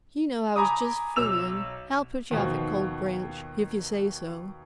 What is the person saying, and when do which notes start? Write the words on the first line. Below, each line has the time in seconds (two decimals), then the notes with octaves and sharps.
"You know I was just fooling. I'll put you off at Cold Branch, if you say so."
0.56 G#5 A#5 B5 D6 D#6
1.16 B1 E6 F7
2.31 D#2 B2 F3